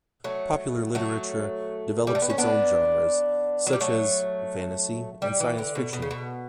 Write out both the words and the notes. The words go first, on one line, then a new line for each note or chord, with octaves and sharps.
Popular literature develops its own genres such as fantasy and science fiction.
F#3 A3
F#3 A3
G3
A3
B3
C#4
B3 D4
F#3
G3
F#3 A3
G3
E3
D3
B2
B2
C#3
B2